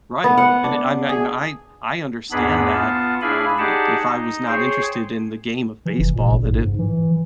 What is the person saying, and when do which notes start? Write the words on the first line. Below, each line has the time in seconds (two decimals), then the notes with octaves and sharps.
right, and I mean, I I understand that, um, i if I was not interested in the game of baseball, that it
0.24 B3
0.38 F#5
0.64 D4
1.09 G#4
2.31 E2 G#2 B3 D4 G#4 B5
2.73 B3 F4 A5
3.21 D4 E4 G#4 F5 G#5 B5
3.58 D#4 G4 G#4 D5 F#5 A5
4.06 D#4
4.47 G#4 C5 C#5 G5
5.85 E3
5.99 F1
6.15 A#2
6.30 A1
6.50 G#2
6.65 G#2
6.79 E3